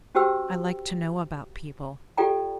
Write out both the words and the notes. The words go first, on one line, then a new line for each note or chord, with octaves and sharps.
I like to know about people.
C#4 F#4 G4 C5 G5 E6
F4 G4 A4 D5 G5 A#5